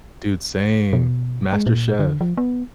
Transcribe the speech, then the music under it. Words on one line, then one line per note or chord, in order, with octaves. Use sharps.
Dude, same. MasterChef.
B2
G#3
A#2
D3
F3
B3